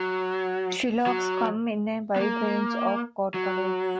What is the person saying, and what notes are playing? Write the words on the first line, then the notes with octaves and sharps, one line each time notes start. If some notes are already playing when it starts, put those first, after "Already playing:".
Shilohs come in a wide range of coat colors.
Already playing: F#3
F#3
B3
A#3
F#3